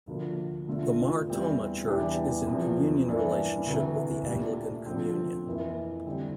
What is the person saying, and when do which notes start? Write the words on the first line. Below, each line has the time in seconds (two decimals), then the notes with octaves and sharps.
The Mar Thoma Church is in communion relationship with the Anglican Communion.
0.07 D2 D3 F3 A#3
0.68 D3 A3 D4 F4
1.27 E2 E3 G3 C4
1.87 E2 E3 G3 D4 G4
2.46 E2 C3 F3
3.07 G2 E3 A#3 D4
3.66 D2 C3 E3
4.26 A#2 A3 D4 G4
4.86 D2 D3 F3 C4
5.46 F2 E3 A#3 E4
6.06 D3 G3 C4